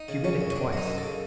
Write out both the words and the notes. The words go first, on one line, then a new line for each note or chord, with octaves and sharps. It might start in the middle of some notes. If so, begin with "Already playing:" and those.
He read it twice.
Already playing: D#4
C#3
C#3 C#4
F#2
C#4
F#2 D4
F#3 D#4
F#2
A4
C#3